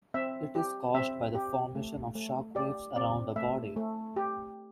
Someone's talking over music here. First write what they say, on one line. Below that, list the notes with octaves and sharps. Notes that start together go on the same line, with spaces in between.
It is caused by the formation of shock waves around a body.
C4 E5
G4
C4 E5
G4
A3
A3
G4 D5
C4 D5
A3 E5
A3
G4